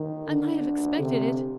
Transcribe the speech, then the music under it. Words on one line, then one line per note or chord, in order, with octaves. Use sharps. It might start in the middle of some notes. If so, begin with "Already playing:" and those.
I might have expected it.
Already playing: D#3
D3
C3